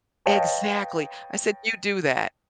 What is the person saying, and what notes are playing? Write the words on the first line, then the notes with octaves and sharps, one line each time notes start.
Exactly. I said, "You do that,
B4 C#5 D#5 F5 G5 A5